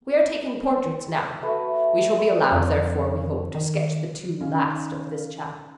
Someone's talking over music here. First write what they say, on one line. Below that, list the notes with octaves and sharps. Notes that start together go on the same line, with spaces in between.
We are taking portraits now; we shall be allowed, therefore, we hope, to sketch the two last of this chapter.
A3 F#4 B4
F2
D#3
D#3 C#4 F5